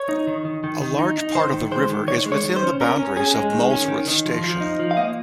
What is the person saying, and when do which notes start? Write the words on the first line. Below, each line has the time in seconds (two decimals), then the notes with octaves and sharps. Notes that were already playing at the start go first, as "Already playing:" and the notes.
A large part of the river is within the boundaries of Molesworth Station.
Already playing: C#5
0.09 D#4
0.27 D#3
0.45 D#3
0.64 D#3
0.82 D#3
0.99 D#4
1.18 D#4
1.35 D#3 C5
1.53 D#3
1.71 G#3 C5
1.90 D#3
2.07 D#3 C#5
2.26 G#3
2.32 C#5
2.44 D#3
2.56 C5
2.63 C#4
2.80 C#4 A#4
2.99 C#4
3.17 C#4 G#4
3.34 G#3
3.53 D#3
3.71 C#4
3.88 D#3
4.07 D#3
4.26 F3
4.44 F3
4.61 D#4
4.80 F3
4.91 F5
4.97 A#3 D#5